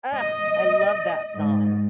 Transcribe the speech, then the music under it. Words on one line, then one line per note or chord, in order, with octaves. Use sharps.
Ugh! I love that song.
D#5
G#2